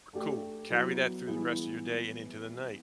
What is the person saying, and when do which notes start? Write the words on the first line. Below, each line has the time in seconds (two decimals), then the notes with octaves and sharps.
Cool, carry that through the rest of your day and into the night,
0.13 A3 D4 G4
0.70 F#3 B3 E4
1.27 E3 G3 B3 E4 G#4